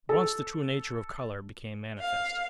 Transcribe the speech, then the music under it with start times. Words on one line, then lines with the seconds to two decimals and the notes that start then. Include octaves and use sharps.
At once the true nature of colour became manifest.
0.09 A4
1.99 F5